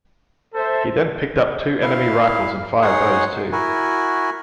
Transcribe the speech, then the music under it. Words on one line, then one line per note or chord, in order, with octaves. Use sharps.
He then picked up two enemy rifles and fired those too.
A4 C5 E5
E4 F5
D#4 G#4 C#5 F#5 C6
E4 F#4 A#4 G#5